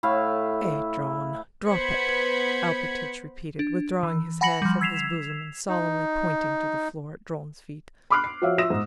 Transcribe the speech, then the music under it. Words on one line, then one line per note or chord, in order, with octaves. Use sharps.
"Eh, Dron, drop it!" Alpatych repeated, withdrawing his hand from his bosom and solemnly pointing to the floor at Dron's feet.
A2 A3 E4 F5
B3 B4 C5 B5 G#6 C#7
D4
E3
F#5 G#5 B5 A#6 C#7 F#7
F3 G3
E6 G#6 B6 C7 E7 F7
D#4
B5 C6 D6 F6 F#6 C7
C7
F3 F#4 C#5 E5 F5
F4 E5 D#6 E6 A#6 E7
G#2